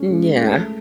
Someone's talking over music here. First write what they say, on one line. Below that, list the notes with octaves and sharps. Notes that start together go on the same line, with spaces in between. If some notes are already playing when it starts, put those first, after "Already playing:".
M Yeah.
Already playing: G#3 C#4
G#3
A3